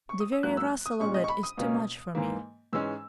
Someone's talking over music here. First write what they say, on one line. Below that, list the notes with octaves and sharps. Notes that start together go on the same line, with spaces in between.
The very rustle of it is too much for me.
C#6
D#6
E6
G#2 F#3 A#3 F#6
E6
D#6
A#2 G#3 C#4 C#6
D#5
C#6
B5
D#6
C#2 B2 A#3 C#4
G#2 E3 A#3
G#2 E3 G#3 C#4 E6